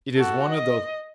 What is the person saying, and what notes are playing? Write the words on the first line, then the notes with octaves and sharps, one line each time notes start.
It is one of those.
F#4 A4
D#5